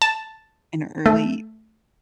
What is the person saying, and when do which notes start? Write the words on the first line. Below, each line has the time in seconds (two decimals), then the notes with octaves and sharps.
in early
0.02 A5
1.06 A3